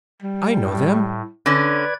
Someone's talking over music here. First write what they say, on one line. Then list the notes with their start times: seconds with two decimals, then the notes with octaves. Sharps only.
I know them!
0.22 G3
0.64 A2
1.46 D3 C#4 B4 D5 G#6